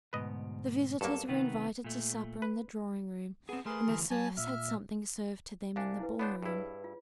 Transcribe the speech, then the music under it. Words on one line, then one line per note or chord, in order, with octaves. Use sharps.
The visitors were invited to supper in the drawing room, and the serfs had something served to them in the ballroom.
D2 G#2 B2 B4 D#5
G2 F#3 A#3 A4
C3 D#3 B3
A#2 A3
B4
B3 C4 G#4
A3 G#4 A#4 B4 C6
D2 E3
F#3 G#5 A5
A#2 E5 F6
C2 D4 F5 G#5
E4 B4
B3 D4 C5 C#5 B5
G2 E4 G#4 B4
F4